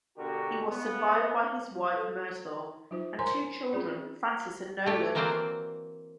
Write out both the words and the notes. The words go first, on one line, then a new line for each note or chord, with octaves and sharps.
He was survived by his wife, Myrtle, and two children, Frances and Nolan.
B2 D3 D4 F#4 G4 A#4
C#3 B3
A4
F#3 D#4 F4 C5
A#4 C5 C#5 G#5 A#5 C6
C4 C#4 F4 G#4 D5
A3 G4
E3 F#3 A#3 C4 C5 D5